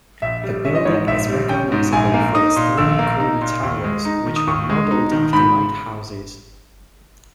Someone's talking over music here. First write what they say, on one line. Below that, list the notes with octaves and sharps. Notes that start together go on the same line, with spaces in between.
The building is recognizable for its three corner towers, which were modeled after lighthouses.
A#1 E5
G3
C#4 E5
D#5
G#2 C#5
D#5
A#1 E5
G3
C#4 G5
G#2
A#1 G#5
A#3
D#4 D#6
A#2
A#1 E6
A#3
D#4
A#2
D#2
G#3
D#4
D#3
D#6
D#2 C#6
G#3
D#4
D#3
G#2 B5